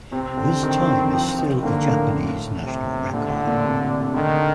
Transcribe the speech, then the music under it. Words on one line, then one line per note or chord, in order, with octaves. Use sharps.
This time is still a Japanese national record.
C3 C4
D3
D#3
F3
D#3
D3 A#3
A2
C3
A#2 D3
A2
A#2
C3
D3 D#3